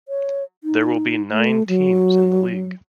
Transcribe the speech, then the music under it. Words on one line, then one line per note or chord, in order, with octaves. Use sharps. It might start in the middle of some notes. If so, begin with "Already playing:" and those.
There will be nine teams in the league.
C#5
D#4
A3
F#3